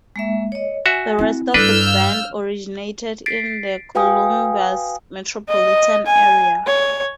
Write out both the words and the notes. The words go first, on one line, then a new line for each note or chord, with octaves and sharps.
The rest of the band originated in the Columbus metropolitan area.
G#3 A#3 E5
C#5 D#5
F#4 E5 G#5
C4 E4
G2 D4 E4 A4 B4 E6 F6 G6
F5
A6 B6 C7 D7
F#4 B4 F5 G5 G#5 D#6
D#5
G#5
C#5